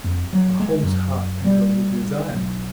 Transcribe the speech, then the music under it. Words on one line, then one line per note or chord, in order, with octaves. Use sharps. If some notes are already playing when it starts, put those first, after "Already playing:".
Pahom's heart kindled with desire.
F2
F#3
G#3
F#2
G3
B1